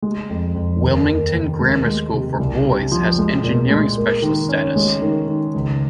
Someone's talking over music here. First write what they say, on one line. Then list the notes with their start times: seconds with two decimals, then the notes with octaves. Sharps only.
Wilmington Grammar School for Boys has engineering specialist status.
0.02 G#3
0.30 F2
0.55 F2
0.81 D#2
1.08 A#3
1.33 D#2
1.60 G#3
1.86 G#3
2.12 C3
2.39 C2
2.66 C3
2.92 F3
3.18 G#3
3.43 A#2
3.70 G#3
3.97 A#3
4.22 D#3
4.49 C#4
4.76 G#3
5.02 D#3
5.27 D#3
5.54 C#2